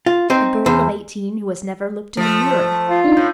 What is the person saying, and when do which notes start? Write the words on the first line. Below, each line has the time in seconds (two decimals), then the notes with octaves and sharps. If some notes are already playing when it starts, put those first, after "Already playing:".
A girl of eighteen who has never looked in a mirror!
0.06 F4
0.30 C4 D#4 C5
0.66 E2 C5
2.17 F3 A3
2.51 C5
2.90 F4
3.04 D4 D#4
3.17 A2 G6